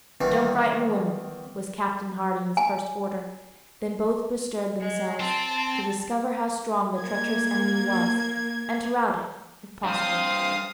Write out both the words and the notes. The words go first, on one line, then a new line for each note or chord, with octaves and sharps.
'Don't frighten the women,' was Captain Hardy's first order; then both be stirred themselves to discover how strong the treacherous enemy was, and to rout it if possible.
E2 D#3 E3 G3
G#5
G#3
C4 A5
A#3 G#6
G2 C5 F5 D#6